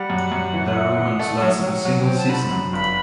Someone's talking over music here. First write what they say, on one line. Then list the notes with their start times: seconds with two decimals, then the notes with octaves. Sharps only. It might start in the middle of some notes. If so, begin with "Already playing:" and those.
Their romance lasted a single season.
Already playing: G3 F#5
0.10 F#2
0.32 F#2
0.54 E3
0.76 E4
0.98 E3
1.19 A3
1.42 F#3
1.63 F#3 G5
1.70 F#5
1.85 F#3
2.00 G5
2.07 C4
2.18 A5
2.29 D3 B5
2.51 F#2
2.73 G1 B5